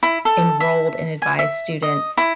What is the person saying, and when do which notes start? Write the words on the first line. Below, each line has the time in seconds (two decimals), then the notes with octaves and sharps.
enrolled and advised students
0.03 E4
0.25 A4
0.60 E5
1.22 G#5
1.39 E5
1.82 D#5
2.17 E4